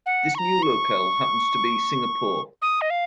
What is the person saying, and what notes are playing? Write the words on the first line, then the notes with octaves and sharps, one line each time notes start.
This new locale happens to be Singapore.
F#5
C#6
A#5
C#6
D#6
D#5
F5